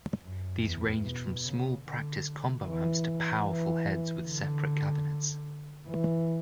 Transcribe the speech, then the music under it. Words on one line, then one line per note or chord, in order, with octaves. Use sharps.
These ranged from small practice combo amps to powerful heads with separate cabinets.
F#2
E2
B2
C#3
D3
E3
E3
D3
E3